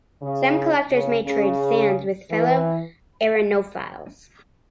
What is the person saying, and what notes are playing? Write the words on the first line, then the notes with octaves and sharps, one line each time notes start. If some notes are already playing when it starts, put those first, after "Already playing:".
Some collectors may trade sands with fellow arenophiles.
C#3
C#3
C#3
E3